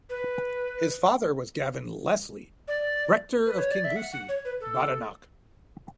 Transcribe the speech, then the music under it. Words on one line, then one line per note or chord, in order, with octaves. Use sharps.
His father was Gavin Lesley, rector of Kingussie, Badenoch.
B4
D5
B4
C#5
D5
E5
F#5
F#5
C#5
B4
A4